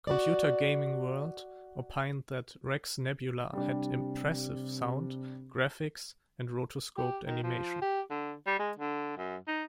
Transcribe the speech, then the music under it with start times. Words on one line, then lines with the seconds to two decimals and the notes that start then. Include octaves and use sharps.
"Computer Gaming World" opined that "Rex Nebular" had "impressive" sound, graphics, and rotoscoped animation.
0.07 F#4 D5
3.53 C3 G3 D4
6.97 G4
7.26 D#3
7.43 F3
7.82 G4
8.10 D3
8.47 G3
8.59 G#3
8.79 D3
9.17 F#2
9.47 D#4